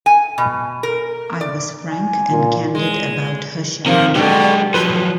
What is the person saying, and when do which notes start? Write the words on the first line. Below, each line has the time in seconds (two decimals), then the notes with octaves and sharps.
I was frank and candid about her shark.
0.06 G#5
0.38 B2
0.83 A#4
1.41 D5
1.93 G#5
2.30 A#2
2.75 G#3
3.86 C3 D#3 F3 A#3
4.15 B2 D3 G#3 G4
4.74 F3 F#3 B4